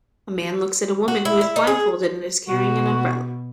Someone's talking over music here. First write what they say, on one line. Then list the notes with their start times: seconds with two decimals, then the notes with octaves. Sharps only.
A man looks at a woman who is blindfolded and is carrying an umbrella.
1.08 F#4
1.25 E4
1.41 E4
1.56 D#4
1.67 G#4
2.48 B2 F#4